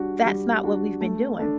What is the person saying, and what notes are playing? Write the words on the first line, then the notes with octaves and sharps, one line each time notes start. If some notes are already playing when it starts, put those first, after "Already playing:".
That's not what we've been doing.
Already playing: G3 D4 F#4
G3
D4 F#4
A3
D4 A4